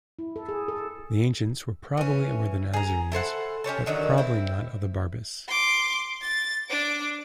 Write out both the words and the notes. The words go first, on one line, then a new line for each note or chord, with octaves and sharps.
The Ancients were probably aware of the Nazarenes, but probably not of the Barbus.
E4
A4
G#4
A4
E3 C#4
G#4 A#5
E4 A4 C5 F#5
C#4 G4 C#5 A5
D3 D#3 F#3 D4
C4 E4
C6 D6
A6
D4 D6